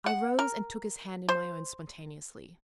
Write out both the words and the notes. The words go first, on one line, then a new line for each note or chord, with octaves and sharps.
I rose and took his hand in my own spontaneously.
F#5
A#4
C5